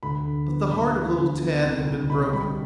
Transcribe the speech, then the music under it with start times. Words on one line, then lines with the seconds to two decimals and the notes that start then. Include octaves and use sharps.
But the heart of little Tad had been broken.
0.03 D2 B5
0.26 D3
0.49 B3
0.72 D2 B5
0.95 D3
1.18 D2
1.41 B3
1.64 C2
1.87 C2
2.10 B2 B5
2.33 G3 B5